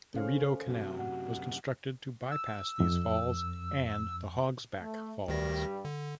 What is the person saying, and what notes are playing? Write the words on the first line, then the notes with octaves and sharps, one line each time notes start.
The Rideau Canal was constructed to bypass these falls and the Hog's Back Falls.
C#3 C#4 A4 C5 F5
F#2 C3 F#4
F#5
E6
F2
A3
D2 G2 D#3 G3 A#6
D3